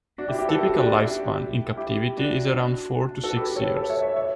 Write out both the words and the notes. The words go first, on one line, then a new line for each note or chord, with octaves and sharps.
Its typical lifespan in captivity is around four to six years.
D4 F#4
E4 G4
E4 G4
F#4 A4
E4 G4
D4 F#4
E4 G4
E4 G4
D4 F#4
F#4 A4
G4 B4
A4 C#5
A4 C#5
C#5 E5
C#5 E5
C#5 E5